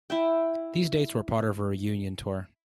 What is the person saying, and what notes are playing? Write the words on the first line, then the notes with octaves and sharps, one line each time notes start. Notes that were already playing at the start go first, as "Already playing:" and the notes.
These dates were part of a Reunion Tour.
E4 E5 G5